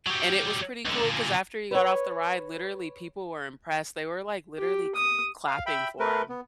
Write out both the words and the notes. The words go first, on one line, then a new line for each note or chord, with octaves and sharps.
And it was pretty cool, 'cause after he got off the ride, literally, people were impressed. They were, like, literally c clapping for him.
F#3 G3
C#2 D3
A#2 D3
B4 C#5
G4
D#6
F5
E5 G5 B5
A3 A#4 B4
B3